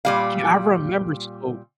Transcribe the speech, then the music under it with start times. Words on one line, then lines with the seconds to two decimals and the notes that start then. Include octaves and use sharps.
Yeah, I remember so
0.05 A#2 G3 F5